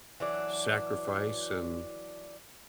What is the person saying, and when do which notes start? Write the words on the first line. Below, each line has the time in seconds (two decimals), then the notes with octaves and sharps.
sacrifice and
0.20 E3 F#3 D4